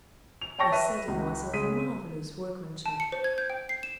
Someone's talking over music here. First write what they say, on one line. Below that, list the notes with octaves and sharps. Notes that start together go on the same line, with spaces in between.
The setting was of marvelous workmanship.
F7
C#5 G5 A5 C#6 A#6
B4 E5 B6 D#7
C#2 F#4
C#3 G#3 B6 D#7
A5
C#7
C5
G#6
G6
G5
C7
E7